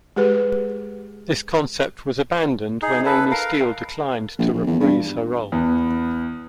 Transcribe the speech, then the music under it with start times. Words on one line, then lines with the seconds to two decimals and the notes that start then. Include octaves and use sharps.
This concept was abandoned when Amy Steel declined to reprise her role.
0.16 G#3 G4 G#4 B4
2.82 D#4 G#4
3.06 A4 B4
3.31 A#4 F5
4.39 A#1
4.54 A#1
4.67 E2
4.80 G2
5.52 E2 B3